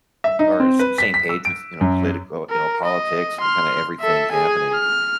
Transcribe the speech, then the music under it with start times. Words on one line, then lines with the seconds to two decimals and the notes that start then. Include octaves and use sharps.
or s same page with, you know, political you know, politics and kinda everything happening.
0.24 E5
0.39 D#4
0.60 C4
0.79 B4
0.98 B6
1.14 B6
1.29 E6
1.45 D7
1.81 F#2
2.50 A#4
2.85 D#5
3.41 C6 F6
4.01 A4 E5
4.32 G#4 G#5
4.74 F6